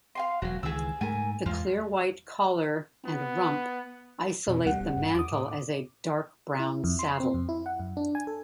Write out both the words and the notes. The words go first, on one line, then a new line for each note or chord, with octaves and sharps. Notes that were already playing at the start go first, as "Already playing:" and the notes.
The clear white collar and rump isolate the mantle as a dark brown 'saddle'.
F5 G#5 C6
E1 F#3 F#4
C#2 D#3 E3 G#4 E6
G#2 A3 A#4 G#5
E2 G#3 F4
B3
F2 B2
D2 G3 B3 F#5
D1
G2
E2 D6 D#6
A2
E4
F2
C6
C4
F2
E4
F#5
F#2
D4
G#5
A4